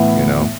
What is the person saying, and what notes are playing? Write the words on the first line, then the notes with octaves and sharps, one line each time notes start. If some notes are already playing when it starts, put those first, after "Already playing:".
you know,
Already playing: A2 E3 B3